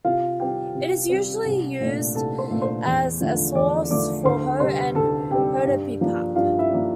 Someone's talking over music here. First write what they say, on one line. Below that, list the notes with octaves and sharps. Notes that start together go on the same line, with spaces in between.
It is usually used as a sauce for "hoe" and "hoedeopbap".
C3 F4 F5
G3 C4 G4 G5
C3
G3 C4
C2
A#2 A3 D4
C2 A4 A5
C5 C6
A#2 A3 D4
C5 C6
E2
D3 F3 A3
E2 D5 D6
D3 F3 A3 D5 D6
D2 C5 C6
C3 G3 C4 C5 C6
D2 A4 A5
C3 G3 C4 G4 G5
G2
F3 A#3 D4
G2 F4 F5
E4 E5
F3 A#3 D4